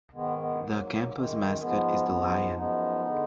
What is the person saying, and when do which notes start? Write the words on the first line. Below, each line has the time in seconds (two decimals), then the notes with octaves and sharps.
The campus mascot is the lion.
0.13 G#2 D#3 G#3 B3
0.38 G#3 B3
0.62 G#2 F#3 A#3
1.11 F#2 D#3 G#3
1.59 G#2 F3 G#3 B3
2.08 G#2 F3 G#3
2.56 F#2 F3 G#3 B3 D#4
3.05 D3 G#3